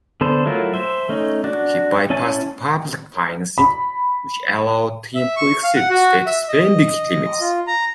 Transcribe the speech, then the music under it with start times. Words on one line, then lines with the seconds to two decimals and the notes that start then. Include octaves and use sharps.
He bypassed public financing, which allowed him to exceed state spending limits.
0.21 D3 B3 A4 C5
0.46 F#3 A3 E4 F4 A#4
0.74 C5 E5
1.09 A3 C#4 D#4
1.44 D4 F#4
2.10 C#4 E4 G#5 A5
3.58 B5
5.15 E5
5.36 C#6
5.64 F5
5.75 F#5
5.90 F#4
6.27 E5
6.48 D#5
7.41 F4
7.67 A#5